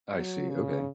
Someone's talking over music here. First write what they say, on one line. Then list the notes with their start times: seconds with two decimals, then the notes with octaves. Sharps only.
I see, okay.
0.14 F#3
0.50 C#3